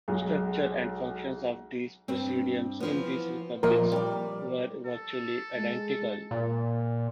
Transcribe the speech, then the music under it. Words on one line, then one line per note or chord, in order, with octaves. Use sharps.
Structure and functions of the presidiums in these republics were virtually identical.
B1 G#3
G2 C4
E3 F3 B3
A#2 F3 A#4 D#5
G3 D5
A4
G#3
A#2